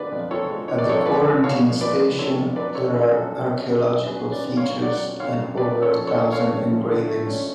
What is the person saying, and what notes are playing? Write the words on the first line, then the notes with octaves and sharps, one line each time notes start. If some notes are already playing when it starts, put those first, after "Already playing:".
At the Quarantine Station there are archaeological features and over a thousand engravings.
Already playing: D3 F3 G#3 B4 D5
F2
F3 A4 C#5
G#3
D3 C#5
D5
F2 A4 C#5
F3 B4 D5
G#3
D3 C#5 F5
F2
F3 B4 D5
G#3
D3 A4 C#5
F2
F#3 B4 D5
C#4 A4 C#5
D3 G#4 B4
F#2 F#4 A4
F#3
C#4
D3
F#2
F#3 G#4 B4
C#4
B4 D5
D3
C#5 F5
F#2
F#3 D5 F#5
C#4
D3 C#5 F5
F#2
A3 B4 D5
C#4
A4 C#5
F3
A4 C#5
D3
A3 C#5 F5
C#4
F3
D3
A3
C#4